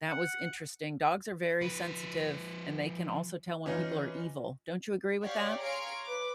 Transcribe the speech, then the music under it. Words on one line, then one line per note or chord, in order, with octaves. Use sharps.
that was interesting. Dogs are very sensitive, and they can also tell when people are evil. Don't you agree with that?
F#5
F3 B4
E3 C#4 D#4 F4
G4 C#5 D5 F5
G#4 C#5 F5 A#5 C6 D7
B4 D6